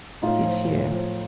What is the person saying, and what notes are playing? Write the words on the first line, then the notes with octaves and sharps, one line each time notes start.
He's here.
A2 D#4 F4
F3
A2
F3